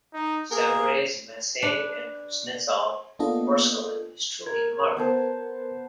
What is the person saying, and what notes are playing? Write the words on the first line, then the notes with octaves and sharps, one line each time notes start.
The Sevres, Meissen and Kuznetzov porcelain is truly remarkable.
D#4
A#3 G#4 A#4
D4 B4
A#3 B3 D4 F4 A4 D#5
A#4 G#6
B3 C5 A5